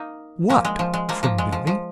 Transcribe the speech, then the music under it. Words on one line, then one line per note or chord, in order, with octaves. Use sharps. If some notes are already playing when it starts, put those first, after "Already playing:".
"What?" from Billie.
Already playing: A#3 D#4
F3 A#3
G#3
F3
G#3
F3 A#3
F3 A#3
G#3
F3
F3